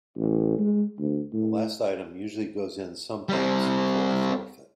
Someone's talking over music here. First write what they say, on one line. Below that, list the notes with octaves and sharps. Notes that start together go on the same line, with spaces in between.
The last item usually goes in, sometimes for a forfeit.
A1
G#3
D2
A2
G3 C4